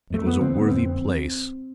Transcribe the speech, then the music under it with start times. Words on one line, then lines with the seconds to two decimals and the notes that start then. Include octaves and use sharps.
It was a worthy place.
0.10 F2 A3
0.27 B3
0.41 D3 C4
0.61 B3
0.70 F2 C4